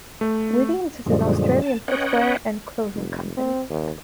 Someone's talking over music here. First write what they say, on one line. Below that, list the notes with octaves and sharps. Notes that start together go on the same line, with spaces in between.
Williams is an Australian footwear and clothing company.
A3
F#2 A#2 D3 F3 G3 G#3
A5
C#4 B4 C#5 D#5 F#5 G5
F1
C4
D#2